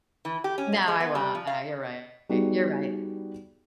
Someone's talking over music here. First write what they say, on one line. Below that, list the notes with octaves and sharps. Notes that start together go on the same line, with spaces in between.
No, I won't, nah, you're right, you're right.
E3
G4
C#4
B2
G#3
B3
G3
F3
F5
G3 B3 D#4 F#4 G#4